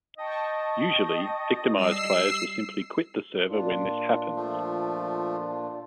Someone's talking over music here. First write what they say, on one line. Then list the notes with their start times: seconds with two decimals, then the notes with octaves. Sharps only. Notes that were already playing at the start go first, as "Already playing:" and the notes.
Usually, victimized players will simply quit the server when this happens.
0.18 D#5 G5 A5 C#6
1.76 G3 E6 C7
3.46 A#2 D4 F4
4.36 F3 A3